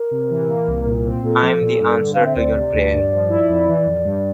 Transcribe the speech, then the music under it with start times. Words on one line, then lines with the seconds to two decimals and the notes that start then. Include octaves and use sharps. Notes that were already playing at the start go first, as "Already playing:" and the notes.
I'm the answer to your prayer.
Already playing: A#4
0.11 C3
0.30 E3
0.49 A#3
0.68 C2
0.87 A#2
1.06 C4
1.24 A#2 A4
1.42 F3
1.61 A#2
1.80 G2
1.99 D3
2.13 C4 F5
2.25 E5
2.36 D2 D5
2.54 C3
2.73 D2
2.93 G2
3.11 F3
3.30 E4
3.49 F2
3.68 E3
3.86 F2
4.05 G2